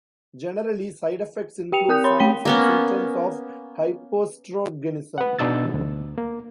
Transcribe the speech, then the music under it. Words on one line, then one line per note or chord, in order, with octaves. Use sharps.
Generally, side effects include signs and symptoms of hypoestrogenism.
G4 G5 C#7 F7
C4 A#4 D#6 G6
C#5 B5 C6
A3 G5 B6 G7
A#3 B3 C#4
B4 F#5
B2 D4 D#4 E6 A6
D2
A#3